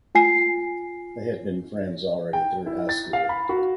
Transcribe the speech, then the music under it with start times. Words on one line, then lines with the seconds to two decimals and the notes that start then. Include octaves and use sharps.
They had been friends already through high school.
0.15 F4 G#5 C7
2.33 G5
2.66 E4
2.89 A6
3.13 F5
3.29 B5
3.49 F#4